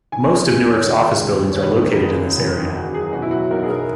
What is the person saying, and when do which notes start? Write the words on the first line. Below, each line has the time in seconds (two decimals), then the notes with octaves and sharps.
Most of Newark's office buildings are located in this area.
0.12 D#3 G#5
0.31 G#3
0.50 D#2
0.69 D#2 C#5
0.87 D#3
1.06 G#3
1.24 D#2
1.44 D#2
1.52 C#5
1.63 E2 B4
1.82 D#3
1.91 A#4
2.00 F#1 G#4
2.20 F#3
2.38 E2
2.57 D#3
2.76 F#1 F#4
2.94 F#3 G#4
3.13 B2 F#4
3.22 E4
3.31 F#3 F#4
3.51 B1 A#4
3.63 G#4
3.70 B1 A#4